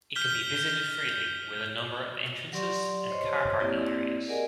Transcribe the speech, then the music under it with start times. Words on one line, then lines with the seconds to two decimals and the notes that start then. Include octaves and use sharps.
It can be visited freely, with a number of entrances and car parking areas.
0.15 F6 G6 B6 G7
2.53 F#3 G4 D5 C6 C#6
3.10 C5 C#5 D#5 C6
3.60 A#3 C4 E4 G4 D5
4.28 G#4 A#4 D5 D#5 F#5 G#5